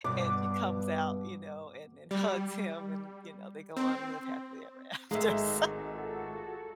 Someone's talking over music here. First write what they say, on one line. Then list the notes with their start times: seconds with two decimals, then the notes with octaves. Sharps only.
and she comes out, you know, and and hugs him and, you know, they go on live happily ever after, so,
0.04 G2 B2 D6
2.11 G3
3.77 C4
5.11 G#1 G#2 G#3 D#4 F#4 A4 D#5 E5
5.95 F4 F#4 G#4 A4 F#5